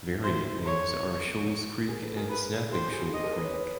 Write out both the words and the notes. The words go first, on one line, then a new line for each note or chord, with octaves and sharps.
Variant names are "Shoals Creek" and "Snapping Shoal Creek".
E4 F#4 C5
E4 F#4
E4
E4
G4 A4 C#5
G#4 A#4
A4 B4
G#4 A#4
G#4 A#4 B4
G4 A4 C5
F#4 G#4
G4 A4 D#5
G#4 A#4
A4 B4
B4 C#5
B4 C#5